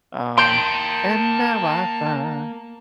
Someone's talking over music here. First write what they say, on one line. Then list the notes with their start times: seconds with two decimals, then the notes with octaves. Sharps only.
Um, And now I find,
0.38 A#3 G5 A5 C6 G6 D7